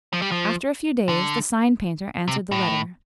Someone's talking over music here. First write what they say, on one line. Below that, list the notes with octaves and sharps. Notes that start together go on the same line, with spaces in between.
After a few days the sign painter answered the letter.
F3
G3
F3
D3
C3
A2